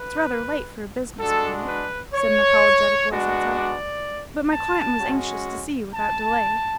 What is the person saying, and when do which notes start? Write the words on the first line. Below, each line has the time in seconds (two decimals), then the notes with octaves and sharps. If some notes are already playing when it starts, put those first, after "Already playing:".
"It's rather late for a business call," said an apologetic voice outside, "but my client was anxious to see you without delay."
Already playing: B4
1.20 G#3 D4 F#4 A4
1.67 B4
2.14 C#5
3.10 G#3 B3 D4 F#4
3.57 D5
4.51 A5
4.99 G#3 C#4 F#4
5.95 A5